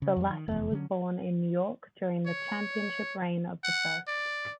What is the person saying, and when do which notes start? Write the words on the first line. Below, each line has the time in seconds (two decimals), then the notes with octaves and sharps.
The latter was born in New York during the championship reign of the first.
0.02 C#3
0.16 F2 G3
0.30 D#3
0.48 F1 E2
0.71 D3 F#3 A3 C#4
2.26 C#5
3.64 F#5
4.07 D5